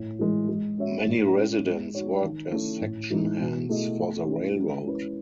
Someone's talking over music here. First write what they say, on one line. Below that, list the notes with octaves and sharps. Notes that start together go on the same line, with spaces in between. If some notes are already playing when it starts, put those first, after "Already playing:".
Many residents worked as section hands for the railroad.
Already playing: A2
E3 G#3
G#3
C#4 F#4 C#5 E5
A2
G#3 C#4
G#3
D#4 F#4 C#5
D#3
A3 C#4 E4
A2
E3 G#3 D#4
B2
A3 E4 G#4 D#5
A3
C#4 E4
G#3
C#4 E4 B4